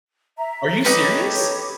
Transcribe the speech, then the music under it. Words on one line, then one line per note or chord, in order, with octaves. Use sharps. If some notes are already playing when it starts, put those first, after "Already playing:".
Are you serious?
E5 A#5
D#4 G4 A4 B4 C#5 D6